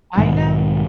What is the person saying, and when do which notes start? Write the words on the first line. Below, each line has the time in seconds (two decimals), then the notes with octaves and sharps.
I know.
0.17 B1 G#2 D#3 G#3